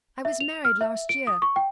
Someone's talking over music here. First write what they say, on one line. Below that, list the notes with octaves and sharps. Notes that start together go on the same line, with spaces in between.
I was married last year.
E5
F7
F6
E5
D7
D#6
C#6
G5